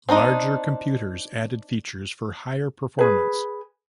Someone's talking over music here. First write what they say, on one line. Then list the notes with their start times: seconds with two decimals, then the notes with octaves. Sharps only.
Larger computers added features for higher performance.
0.09 C4 D4 D#4 D#5
2.99 G#4 B4